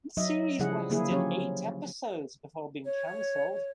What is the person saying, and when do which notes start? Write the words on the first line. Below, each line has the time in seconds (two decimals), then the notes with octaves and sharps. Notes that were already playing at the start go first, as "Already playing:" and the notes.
The series lasted eight episodes before being canceled.
0.17 F#3 D#4 D#5 E5
0.59 C#3 F3 G3 E4 G#4 F#5
0.90 D3 F#3 A#3 E4 G#4
1.11 F3 F#3 C#4 G4 C#5
2.85 C#5